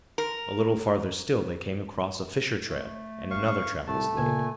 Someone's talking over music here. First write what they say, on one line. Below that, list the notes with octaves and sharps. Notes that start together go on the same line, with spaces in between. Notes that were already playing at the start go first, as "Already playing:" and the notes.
A little farther still they came across a fisher trail and another trap was laid.
A#4
A3
F#3 C#4 F5 C#6
C2 G#2 A3 A5
A#2 C#3 G#5